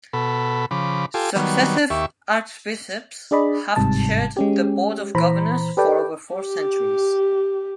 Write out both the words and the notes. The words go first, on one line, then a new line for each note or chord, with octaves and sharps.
Successive Archbishops have chaired the Board of Governors for over four centuries.
B2 A4 B5
C#3 F3 B5 D6
F4 G4 A4 G#5
D#3 F#3 G3 B3
D#2 G4 E5 C#6
D4 G#4 D5 D#5 B5
G1 G#2 C3 G3 A5
G#3 C#4 G4
A#2 E3 C5 A#5 B5
G4 A4 B4 D5 G5
G4